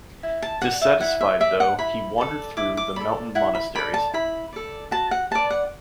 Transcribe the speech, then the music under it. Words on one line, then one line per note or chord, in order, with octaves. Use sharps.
Dissatisfied, though, he wandered through the mountain monasteries.
E4
A5
D5 F#5
E5
E4 F#5
E5
D5 E5
F#5
E4 B5
A4 D5
E4 D6
D6
A4 D5 B5
E4 F#5
B5
A4 D5 B5
A5
E4 B5
A4 D5
F#4 A5
F#5
B4 D5 A5
F#5